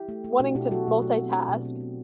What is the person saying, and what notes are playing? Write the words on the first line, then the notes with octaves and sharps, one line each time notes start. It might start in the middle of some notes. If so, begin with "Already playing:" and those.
wanting to multitask,
Already playing: E4 G4
A3
A3
B2 D4 F#4
B2 E4 G4
F#3 F#4 A4
B2
A3
C4
C4 D4 F#4
B2
C4
A3